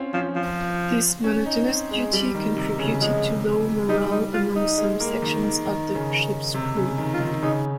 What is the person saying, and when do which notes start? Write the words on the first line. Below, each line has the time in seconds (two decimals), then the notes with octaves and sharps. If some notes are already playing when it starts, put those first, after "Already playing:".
This monotonous duty contributed to low morale among some sections of the ship's crew.
Already playing: C4 C#4 F4
0.14 F3 C#4
0.36 F3
1.24 C#4
1.46 D#4
1.68 C4
1.91 G#3
2.13 G3
2.35 D#3
2.56 C3
2.79 C#3
3.01 F3 G#3
3.89 G3 D#4
4.11 D#4
4.34 F4
4.55 D#4
4.78 G#3
5.00 A#3
5.22 D#3
5.43 D#3
5.66 D#3
5.95 C#3
6.54 C3
6.77 C#3
6.98 D#3
7.14 F4
7.20 D#3
7.42 C#3 D#4